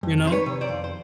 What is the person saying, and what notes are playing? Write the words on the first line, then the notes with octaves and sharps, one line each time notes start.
You know?
F2
D#3 C5
B4 C#5
C3
C5 D5
F2
C5